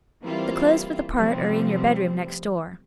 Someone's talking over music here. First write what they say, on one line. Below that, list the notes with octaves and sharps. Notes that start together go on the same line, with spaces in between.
The clothes for the part are in your bedroom next door.
E3 G3 A#3 C4 E4 F4
C3 F3 G3 A3 B3 C4